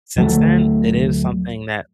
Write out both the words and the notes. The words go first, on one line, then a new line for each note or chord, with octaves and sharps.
since then, it is something that
D1 F#3 A3